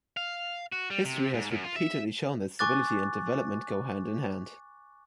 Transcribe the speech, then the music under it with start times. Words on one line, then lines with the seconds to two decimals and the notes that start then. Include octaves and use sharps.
History has repeatedly shown that stability and development go hand in hand.
0.17 F5
0.72 F#4
0.90 G3
1.05 C3
1.34 G#2
1.51 F#2
1.64 F4
1.76 E5
2.59 G#5 C#6 D6 F#6 A6